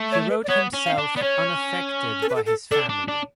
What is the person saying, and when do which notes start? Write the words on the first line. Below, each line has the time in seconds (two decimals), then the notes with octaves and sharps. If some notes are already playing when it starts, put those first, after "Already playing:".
He wrote himself unaffected by his family.
Already playing: A3
0.12 C#5
0.30 B4
0.44 D5
0.49 B3 C#5
0.73 C#4
0.86 F5
0.98 D4
1.16 B3 D5
1.22 C#4 C#5
2.22 A4
2.29 B4
2.35 A4
2.46 A4
2.71 D4 A4
2.89 D4
3.08 D4